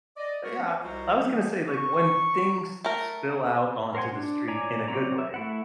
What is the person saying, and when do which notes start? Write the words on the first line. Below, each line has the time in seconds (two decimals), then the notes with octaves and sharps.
yeah, I was gonna say, like, when things s spill out onto the street in a good way,
0.17 D5 D#5
0.43 F#4 A#4 C#5
0.58 F3 C#4
0.82 C2 G#3 F4 F#4 C5 A#5
1.19 D#3 E3 F#3 G3 B3 D#4
1.70 C#6
2.84 A3 A#4
3.95 A#4 C5 F#5 G#5 C6
4.12 D4
4.47 C#5 D5 G#5 A#5
4.88 F#3 C4 C#5 D5 A#5
5.18 E5
5.34 A3 E4 F#5